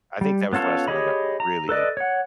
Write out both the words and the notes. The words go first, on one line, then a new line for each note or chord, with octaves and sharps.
I think that was the last time I got really
G3
B3 C#4 F4 A4 C#5
G4 G#4 C#5 D#5 B5
A#5
A4 B4 D5 D#5
C#5 F#5